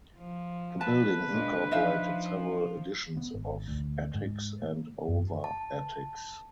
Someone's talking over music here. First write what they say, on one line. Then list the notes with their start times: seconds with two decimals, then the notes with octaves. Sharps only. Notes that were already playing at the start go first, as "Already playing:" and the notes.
The building incorporated several additions of attics and over attics.
0.18 F3
0.81 B4 A5
1.30 A#2 G#3 D4
1.71 F3 D#4 E5 F5
3.17 B3
3.34 G#1
3.68 D2
4.15 G#2
4.62 A#3
5.08 F#2
5.44 A5